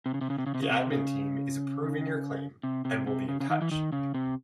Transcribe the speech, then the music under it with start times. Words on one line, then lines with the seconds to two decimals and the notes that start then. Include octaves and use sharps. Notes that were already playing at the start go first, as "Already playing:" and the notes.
The admin team is approving your claim and will be in touch.
0.06 C3
0.14 C#3
0.21 C3
0.30 C#3
0.38 C3
0.47 C#3
0.54 C3
0.63 C#3
0.71 C3
0.92 C#3
2.63 C3
2.85 C3
3.07 C3
3.29 C#3
3.40 C#3
3.50 D#3
3.62 E3
3.71 D#3
3.92 C#3
4.14 C3